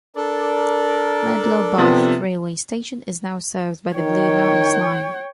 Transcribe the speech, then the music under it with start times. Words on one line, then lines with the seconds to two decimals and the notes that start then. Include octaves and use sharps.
Medlow Bath railway station is now served by the Blue Mountains Line.
0.16 D4 A4 A#4 D5
1.78 C3 F3 B3
3.96 D#3 C#5 G5